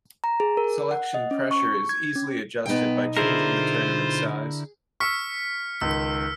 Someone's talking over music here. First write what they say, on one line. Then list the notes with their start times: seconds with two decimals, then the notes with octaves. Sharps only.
Selection pressure is easily adjusted by changing the tournament size.
0.24 A#5
0.40 G#4
0.57 A#4
0.91 F#5
1.14 D#5
1.31 C#4
1.51 C#6
1.89 G#6
2.15 C#4
2.66 B1 B3 D#4 G5
3.17 D3 E4 F4 G#4 A#4 C5
5.00 C#6 E6 F6 B6 C#7
5.81 C#2 D#3 E6